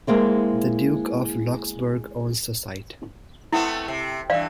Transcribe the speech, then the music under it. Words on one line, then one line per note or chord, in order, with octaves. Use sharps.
The Duke of Roxburghe owns the site.
G#3 A#3 C4 E4
A3 B3 C4 E4
C3
G2 E3 D5 F5